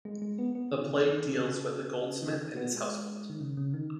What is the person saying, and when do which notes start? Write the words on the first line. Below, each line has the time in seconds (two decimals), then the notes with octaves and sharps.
The play deals with a goldsmith and his household.
0.05 G#3
0.22 G#3
0.38 B3
0.55 B3
0.72 D#3
0.86 C#3
1.00 D#3
1.38 C#3
2.07 C#3
2.23 C#3
2.39 D#3
2.56 B3
2.73 G#3
3.30 D#3
3.40 C#3
3.57 C#3
3.74 D#3